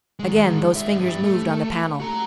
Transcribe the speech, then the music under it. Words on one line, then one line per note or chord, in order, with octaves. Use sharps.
Again those fingers moved on the panel.
D#3 G#3
G#2 E5
G2 G3
A3
F#4 A#5